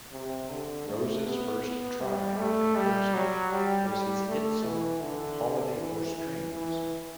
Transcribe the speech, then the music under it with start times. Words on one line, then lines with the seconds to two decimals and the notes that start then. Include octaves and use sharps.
Rose's first try at composing was his hit song "Holiday for Strings".
0.13 C3
0.50 D3
0.87 A3
1.25 B3
1.64 B3
2.01 G3
2.38 A3
2.76 G3
3.14 F#3
3.51 G3
3.90 G3
4.28 A3
4.64 E3
5.02 D3
5.78 E3
6.16 E3
6.54 E3